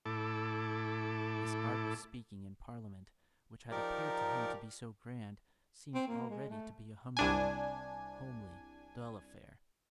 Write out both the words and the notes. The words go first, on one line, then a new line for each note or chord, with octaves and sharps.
This art of speaking in Parliament, which had appeared to him to be so grand, seemed already to be a humdrum, homely, dull affair.
A2 E4 A4 D6
F3 D#4 G4 A#4 D5
C4
A#3
G#3
A3
C2 D4 G#5